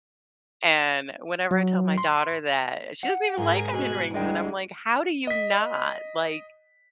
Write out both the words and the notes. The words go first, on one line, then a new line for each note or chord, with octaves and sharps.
and whenever I tell my daughter that she doesn't even like onion rings, and I'm like, "How do you not?" like
F#3
C6
F#5
G#2 G#4 A#4 G#5
B2 G#5 F#6
D2 G3 G#3 E4 D5 D#5 G5
D#5 B6